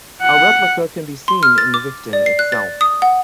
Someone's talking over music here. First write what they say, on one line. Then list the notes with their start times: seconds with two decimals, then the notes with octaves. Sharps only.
A replica can be seen in Vichten itself.
0.22 F#5
1.28 C6
1.43 F6
1.58 A6
1.74 D6
2.13 D5
2.26 C7
2.39 F#6
2.52 A6
2.81 D#6
3.02 F#5